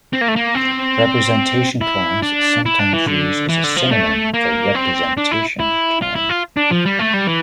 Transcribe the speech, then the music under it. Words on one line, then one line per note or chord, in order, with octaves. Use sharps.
Representation class is sometimes used as a synonym for representation term.
C4
A#3
A3
A#3
C4
E4
D4
E4
D4
E3
D3
E3
D3
F3
A3
A#3
C4
D4
E4
E4
F4
E4
F4
D4
F3
G3
A3
G3
E3